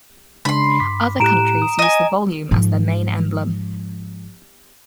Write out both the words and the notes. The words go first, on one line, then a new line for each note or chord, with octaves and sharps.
Other countries use the volume as their main emblem.
C#3 G#3 D4 B5 C6
G2 D6 B6
A2 G4 A#5 F#6 D7 E7
D#6
D#5 G#5
G#2 F3